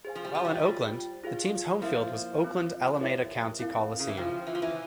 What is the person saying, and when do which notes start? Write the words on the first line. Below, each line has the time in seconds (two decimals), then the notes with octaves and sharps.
While in Oakland, the team's home field was Oakland-Alameda County Coliseum.
0.05 G#4 C5 F5 G#5
0.15 F3
0.25 G3
0.35 F3
0.45 G3
0.64 F4 C5 G5
1.24 F4 G#4 C5 F5
1.82 F3 A#3 E4 A#4 E5
2.40 C4 F4 C5
3.00 E4 G4 A#4 C#5 E5
3.59 C4 E4 A#4 F5
3.99 C#3
4.08 E3
4.17 F3 F4 C5 G5
4.47 E3
4.55 F3
4.62 E3